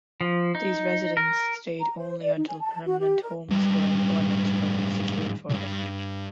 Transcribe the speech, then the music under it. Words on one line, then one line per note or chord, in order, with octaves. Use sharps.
These residents stayed only until permanent homes or employment were secured for them.
F3
D#4
A#4
A#5
C5
D5
D#4
G#5
A5
F#4
G4
A#4
G#2 G3
C2 G2